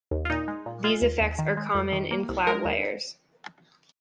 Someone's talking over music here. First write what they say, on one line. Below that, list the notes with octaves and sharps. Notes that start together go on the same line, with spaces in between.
These effects are common in cloud layers.
D#2
F4
A#2 D#4
G#3
A#2
G#3 F4
D#2
D#2
D#3
G#3
F2
D#3
A#3
C2
G#3 A#4
D#2